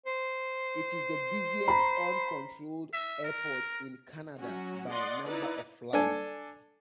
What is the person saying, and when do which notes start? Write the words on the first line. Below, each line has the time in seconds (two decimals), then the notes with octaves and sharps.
It is the busiest uncontrolled airport in Canada by number of flights.
0.06 C5
1.68 A#5 B5
2.93 E5
3.24 A#4
4.37 F#3 C#4 F#4
4.89 D5 D#5 F#5 C6
5.24 D#4 E4 B4 D5
5.93 D4 A4 G#5